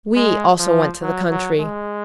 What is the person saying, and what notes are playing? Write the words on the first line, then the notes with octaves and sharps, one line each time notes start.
We also went to the country.
G#3
F3
F#3
F#3
G#3